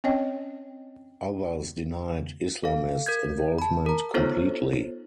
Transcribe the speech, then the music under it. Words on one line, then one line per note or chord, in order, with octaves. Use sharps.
Others denied Islamist involvement completely.
C4 C#4 C#5 D#5 G5
A4 F5
A#4 G6 G#6
A5 B5
A#4 A#5
B3 D#4 F4 A4 C5 C#5